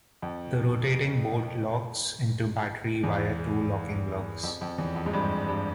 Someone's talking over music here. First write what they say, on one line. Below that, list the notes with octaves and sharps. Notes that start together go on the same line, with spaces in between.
The rotating bolt locks into battery via two locking lugs.
F2
E2
F2
F2
E2
F2
G#2
G2
G2